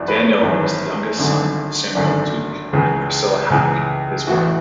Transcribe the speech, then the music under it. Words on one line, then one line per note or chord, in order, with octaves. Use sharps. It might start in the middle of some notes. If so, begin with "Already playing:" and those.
Daniel was the youngest son of Samuel Tuke and Priscilla Hack, his wife.
Already playing: G#1 F#2 E3 D5
B4
C#5
G#1 F#2 E3
G#1 F#2 D3
G#1 F#2 D3 D5
C#2 C#3 E3
C#2 C#3 E3
A1 A2 E3 F#4